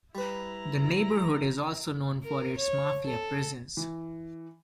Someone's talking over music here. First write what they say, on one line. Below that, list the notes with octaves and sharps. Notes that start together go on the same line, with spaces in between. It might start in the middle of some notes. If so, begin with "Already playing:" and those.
The neighborhood is also known for its mafia presence.
G3 E4 B4 A#5
A#4
C#5
A4
E3